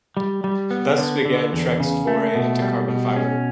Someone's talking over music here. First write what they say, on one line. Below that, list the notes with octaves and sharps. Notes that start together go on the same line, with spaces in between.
Thus began Trek's foray into carbon fiber.
G3
G3
B3
D3
D3
E2
C#3
A3
B2
G3
B2
C#4